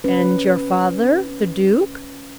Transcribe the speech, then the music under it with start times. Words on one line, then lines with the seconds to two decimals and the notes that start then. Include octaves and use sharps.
"And your father--the Duke?"
0.04 C#4 B4